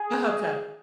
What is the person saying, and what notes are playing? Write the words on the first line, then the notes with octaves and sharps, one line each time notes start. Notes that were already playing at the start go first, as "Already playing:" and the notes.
A hookup.
Already playing: G#4